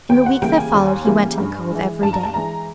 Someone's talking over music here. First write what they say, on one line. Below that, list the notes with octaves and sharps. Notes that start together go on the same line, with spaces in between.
In the week that followed he went to the Cove every day.
D#2 G5
F#5
C#3 E3 G3 A#3 G5
G#5
D#2
C#3 E3 G3 A#3
G2
E3 G#3
G2 A5
A#5
A5
E3 G#3 A#5